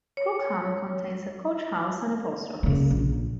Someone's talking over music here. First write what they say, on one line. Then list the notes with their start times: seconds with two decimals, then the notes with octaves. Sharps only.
Crookham contains a Coach House and a Post Office.
0.17 C#5
2.63 C#3 A#3
2.91 A#1